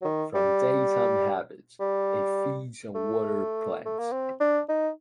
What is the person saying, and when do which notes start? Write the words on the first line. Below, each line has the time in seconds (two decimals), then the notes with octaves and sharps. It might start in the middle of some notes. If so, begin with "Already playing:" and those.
From daytime habits, it feeds on water plants.
0.01 F#3
0.05 D#3
0.35 G3
1.80 G3
2.95 A3
3.86 A3
3.99 A#3
4.12 C4
4.40 D4
4.69 D#4